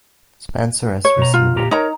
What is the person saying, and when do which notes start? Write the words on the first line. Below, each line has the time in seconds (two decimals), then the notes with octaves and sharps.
Spencer as receiver.
1.05 C#5
1.18 B2 A#5
1.34 F4
1.56 A#2 G4 A#5
1.71 D#4 A#4 C#5 A#5